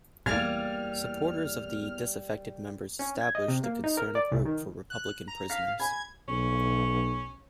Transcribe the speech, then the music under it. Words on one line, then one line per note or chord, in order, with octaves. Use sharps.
Supporters of the disaffected members established the Concerned Group for Republican Prisoners.
E2 G3 A#3 F6 G#6 A6
C#4
G#6
D#5
C3
A#3
D#4
A#4
D5
C2
D#3
F#6
A#5
F5 A#6 B6
G#5 B5 G#6
B1 C#4